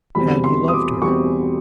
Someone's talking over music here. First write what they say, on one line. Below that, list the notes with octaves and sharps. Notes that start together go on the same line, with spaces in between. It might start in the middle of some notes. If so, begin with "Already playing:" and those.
Had he loved her?
E2 B2 G3 C4 B5
C6
D#6
D6
E2 B2 G3 C4 C#6